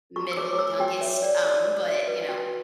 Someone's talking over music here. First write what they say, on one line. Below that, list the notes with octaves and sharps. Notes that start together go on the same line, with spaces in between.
middle youngest, um, but, you know,
F#4 C#6
E6
C#5 D6
D6
C#5 E6
F#4 G5
C#5 E5
C#5 D5
C#5 D5
F#4 D5
C#5
F#4 D5
B4
F#5
F#4 G5